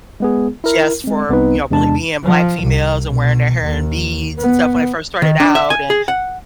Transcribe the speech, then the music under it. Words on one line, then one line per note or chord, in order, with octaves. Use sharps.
just for, you know, bl being Black females and wearing their hair in beads and stuff when they first started out and,
G#3 B3 G#4
E4 A#4
G#3 C4
C2 B3 C4 D#4 B4
E2 C3 G#3 D4 A5
F3
C2
B2
D#2
B3
D#3
D4
E5
G#5
G#4
F#5